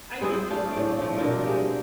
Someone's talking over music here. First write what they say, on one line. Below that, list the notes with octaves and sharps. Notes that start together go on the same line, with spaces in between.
I think
G#3 B3 C4 G#4
A3 D4 F5
A2 D5
F3 A3
B2 C4 D4 A#4
G#3 G4